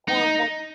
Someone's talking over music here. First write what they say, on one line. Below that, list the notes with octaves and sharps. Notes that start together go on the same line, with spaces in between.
Or what
D#4